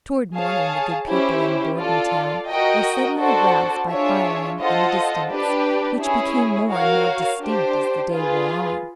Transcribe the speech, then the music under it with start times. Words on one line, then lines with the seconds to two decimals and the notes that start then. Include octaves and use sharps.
Toward morning the good people in Bordentown were suddenly aroused by firing in the distance, which became more and more distinct as the day wore on.
0.37 G#4 C#5 F5 A5
1.08 C#4 E4 G4 C5
1.78 F4 A4 D5 F5
2.48 F#4 A#4 D#5 G5
3.19 D4 F#4 A4 C5
3.89 D4 F4 G#4 C#5 E5
4.59 F4 A4 C5 D#5 F#5
5.31 D4 G4 B4
6.00 C#4 E4 G#4 C#5
6.71 F#4 A#4 C#5 F5
7.41 D4 G4 C5
8.12 F4 G#4 B4